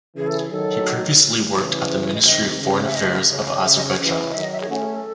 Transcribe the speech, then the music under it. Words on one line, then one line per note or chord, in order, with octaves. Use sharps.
He previously worked at the Ministry of Foreign Affairs of Azerbaijan.
C#3 E3 G#4
A4
G#4
D#3 F#3 A4
C#3 E3
C5
C#5
D#5
C3 D#3 D#5
C#3
E5
D#5
C#3
C#3 E5
D#5
C#5
C#3 E3
D#5
D#5
D#3 F#3 E5
D#5
E5
G#4
A3 C#4 F#4
G#4
A4